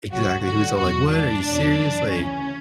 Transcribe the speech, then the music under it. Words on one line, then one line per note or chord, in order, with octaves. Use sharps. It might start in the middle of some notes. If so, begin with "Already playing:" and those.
Exactly he was all, like, "What? Are you serious"? Like,
C#2 C#3 F#3 F#4
D2 D3 F#3 F#4
E2 B2 F#3 F#4
G#2 E3 D4
E2 B2 F#3
F#2 E3
D2 C#3 E3 C#4